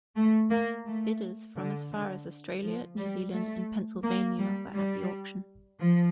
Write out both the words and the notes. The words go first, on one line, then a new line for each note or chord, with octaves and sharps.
Bidders from as far as Australia, New Zealand and Pennsylvania were at the auction.
A3
A#3
A3
D3
D3
F3
G3
A3
A#3
G3
G3
F3